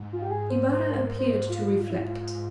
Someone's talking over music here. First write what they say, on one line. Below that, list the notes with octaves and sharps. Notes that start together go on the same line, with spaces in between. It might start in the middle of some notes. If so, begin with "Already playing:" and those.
Ibarra appeared to reflect.
Already playing: G#2
F4
G4
G#2 G#4
C5
C5
A#4
C5
A#4
C5
A#2 F4
G#2 F4
E4
F4
G#2